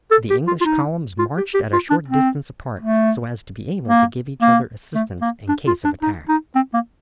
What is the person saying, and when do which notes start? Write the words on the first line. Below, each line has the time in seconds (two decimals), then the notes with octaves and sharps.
The English columns marched at a short distance apart so as to be able to give each other assistance in case of attack.
0.11 A4
0.30 G4
0.48 F4
0.61 F4
0.65 D#4
1.19 F4
1.38 G4
1.55 G4
1.73 F4
1.90 D4
2.08 C4
2.80 A3
3.88 A#3
4.42 A#3
4.95 A3
5.22 A#3
5.49 D4
5.67 F4
5.85 D4
6.02 D#4
6.29 D#4
6.56 C4
6.74 A#3